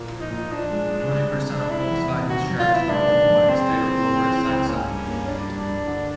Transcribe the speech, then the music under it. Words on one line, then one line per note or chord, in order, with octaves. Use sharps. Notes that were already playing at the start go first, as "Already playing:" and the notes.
Twenty percent of Volkswagen's shares are owned by the state of Lower Saxony.
Already playing: A#2 A#3
F3
D#4
A#2
F3 D4
G#3
G#3
G3
C3
G3
G3 E4
E2
C3
D#3 F#4
F#2
F4
B3 E4
G#3 D4
D#3
F#2
C#3 C4
E3
E3
C#3
E3
C#2
A#3 C#4
G2
A#3
G3 D4
G2
G2
D3